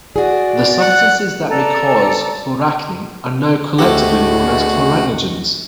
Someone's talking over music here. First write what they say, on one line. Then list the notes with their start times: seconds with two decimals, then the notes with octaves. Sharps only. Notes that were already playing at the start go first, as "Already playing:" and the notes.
The substances that may cause chloracne are now collectively known as chloracnegens.
0.16 F#4 G#4 D5
0.81 F#5
1.50 A4 D5 A#5
3.79 D2 G#3 A3 F#4 G4 A4 F#5